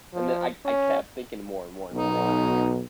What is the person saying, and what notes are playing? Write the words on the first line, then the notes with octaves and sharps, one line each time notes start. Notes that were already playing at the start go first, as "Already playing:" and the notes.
And then I I kept thinking more and more and more,
F3
C#4
B1 B2 D#4